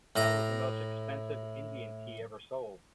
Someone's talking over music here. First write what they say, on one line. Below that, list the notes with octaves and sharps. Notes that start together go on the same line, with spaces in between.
That was the most expensive Indian tea ever sold.
A2 A#5